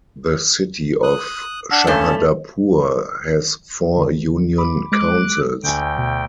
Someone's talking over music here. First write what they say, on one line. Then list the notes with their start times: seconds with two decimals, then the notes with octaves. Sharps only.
The city of Shahdadpur has four union councils.
1.03 D#6 F#6
1.71 D4 F#5 A5
1.87 G2 A3 C#4 A5
3.97 D3
4.58 B5 D6
4.92 G#3 D6 F#6
5.63 D2 D3 G5 G#5
5.98 B2